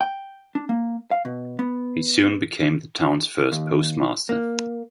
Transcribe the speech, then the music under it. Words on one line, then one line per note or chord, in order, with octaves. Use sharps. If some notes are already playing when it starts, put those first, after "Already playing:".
He soon became the town's first postmaster.
G5
D4
A#3
F5
B2
B3
D#2
A#3